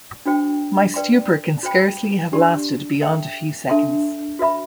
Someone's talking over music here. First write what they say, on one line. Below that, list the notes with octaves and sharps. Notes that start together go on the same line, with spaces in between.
My stupor can scarcely have lasted beyond a few seconds.
D4 F#4 C5 G5
B4 D5 G5 C6
F#4 C5 G5 B5
D4 G4 D5 A5 C6
A4 E5 G5
D4 A4 E5 A5 C6
F#4 B4 E5 B5